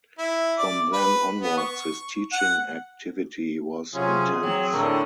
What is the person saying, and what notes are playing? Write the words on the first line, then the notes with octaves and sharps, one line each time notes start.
From then onwards his teaching activity was intense.
E4
D5
B4
B3
C#6
F#5
C3 F#3 C#4 F4 G#4
F#3 C4
A2 D3 A#4